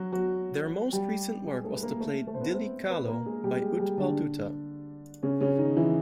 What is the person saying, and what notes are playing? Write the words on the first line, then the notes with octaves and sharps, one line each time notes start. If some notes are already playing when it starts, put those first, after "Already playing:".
Their most recent work was the play "Dilli Chalo" by Utpal Dutta.
Already playing: F#3 F#4
F#3 F#4
G3 G4
G#3 G#4
A3 A4
B4
A#3 A#4
A3 A4
A3 A4
C5
B3 B4
C4 C5
B3 B4
B4
A#3 A#4
G#3 G#4
G3 G4
G#3 G#4
G3 G4
D3 D4
C#3 C#4
C#3 C#4
D#3 D#4
E3 E4